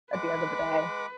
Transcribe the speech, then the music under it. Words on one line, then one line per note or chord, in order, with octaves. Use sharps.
at the end of the day,
G#3 B4 F#5 D6